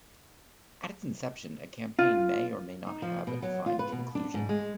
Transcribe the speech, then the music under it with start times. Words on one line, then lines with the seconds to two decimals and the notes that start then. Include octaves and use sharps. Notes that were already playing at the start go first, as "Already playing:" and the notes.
At its inception, a campaign may or may not have a defined conclusion.
1.99 F4
2.87 D#4
3.02 F3
3.27 B2
3.42 F#3
3.66 F4
3.79 B4
3.92 B2
4.15 D4
4.34 G#2
4.49 G#3